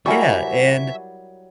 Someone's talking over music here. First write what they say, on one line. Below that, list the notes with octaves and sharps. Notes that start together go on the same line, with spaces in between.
Yeah, and
F#3 G3 E4 A#4 E5 F#5 G#5 C#6